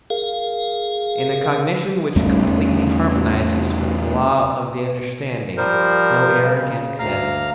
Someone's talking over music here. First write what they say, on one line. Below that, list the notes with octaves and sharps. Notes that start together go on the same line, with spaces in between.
In a cognition which completely harmonizes with the laws of the understanding, no error can exist.
G#4 A#4 F5
E2 G3 A3 C#4
F3 G3 A#4 C5
C#3
D2 F5 A#5 F6